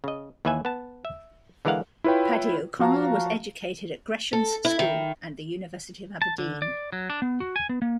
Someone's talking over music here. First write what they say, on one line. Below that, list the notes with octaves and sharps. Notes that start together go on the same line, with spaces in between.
Paddy O'Connell was educated at Gresham's School and the University of Aberdeen.
C#3 D#5
D#2 E3 B4 E5 G#5
B3 A5
E5
D3 E3 G#3 A#4 F5 F#5
E4 F4 B4 C#5 G5
F3 F#4 F5 A5 A#5
A4
E4
D#3
A5
D3
D5
F#3
D4
B3
F#4
G#5
B3
A#3